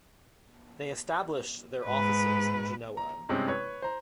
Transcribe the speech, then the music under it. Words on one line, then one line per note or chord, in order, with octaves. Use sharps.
They established their offices in Genoa.
G#2 B4
A#5
G2 C3 G#3 C4 C#4
B4 C#5
C5 A#5